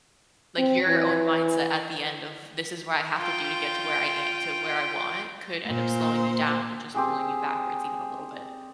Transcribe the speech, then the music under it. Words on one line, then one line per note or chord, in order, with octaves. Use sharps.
Like, your own mindset at the end of, "This is what I have to do to get to where I am to where I want," could end up slowing you down, and just pulling you backwards even a little bit.
C4
E3
F4 G5
A#2 C5
C4 G4 G#4